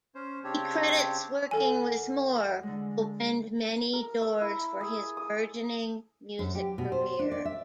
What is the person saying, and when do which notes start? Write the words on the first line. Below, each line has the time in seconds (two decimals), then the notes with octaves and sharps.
He credits working with Moore opened many doors for his burgeoning music career.
0.15 C#4 C5
0.44 C#3 C4 D4 G4 C#5
1.51 E2 A4 G#5
2.63 D3 G#3
3.93 A#4
4.22 E5
4.41 E4
4.81 G#4
5.17 D#6
6.39 F#2
6.55 G4
6.78 B2
6.92 C5
7.19 D4
7.32 D5
7.45 E5